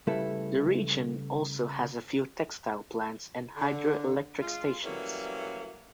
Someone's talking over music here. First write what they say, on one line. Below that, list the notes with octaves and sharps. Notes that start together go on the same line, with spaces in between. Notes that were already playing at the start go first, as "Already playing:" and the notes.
The region also has a few textile plants and hydroelectric stations.
C#3 G3 A3 E4 A4 B4
D3
G#3 F4
E3 F#3 G3 A3 A#3 C#4